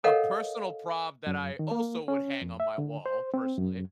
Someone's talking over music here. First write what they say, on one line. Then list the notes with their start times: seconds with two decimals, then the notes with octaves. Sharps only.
A personal prop that I also would hang on my wall, personally,
0.04 A4 A#4 C#5 D#5 F5 F#5
1.27 F#2
1.59 D#3
1.71 A#3
2.08 C#4
2.42 F2
2.60 E5
2.78 D3
3.06 C5
3.34 C4
3.57 F#2